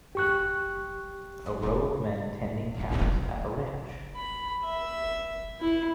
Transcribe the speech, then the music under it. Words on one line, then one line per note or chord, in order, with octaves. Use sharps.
A row of men tending cows at a ranch.
G4 C#6 F#6
B5
E5
E4